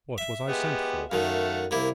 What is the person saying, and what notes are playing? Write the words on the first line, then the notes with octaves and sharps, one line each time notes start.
"What was I sent for?"
E5
G#3 B3 G4
F#2 D#3 A3 F5 F#5
C2 A#3 E4